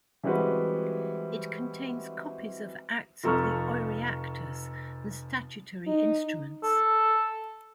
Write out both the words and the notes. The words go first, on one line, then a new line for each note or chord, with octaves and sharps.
It contains copies of Acts of the Oireachtas and statutory instruments.
E3 G3 G#3 C4 F#4 B4
F1 F3 A4 A#5 C#6 F6
D#4
A4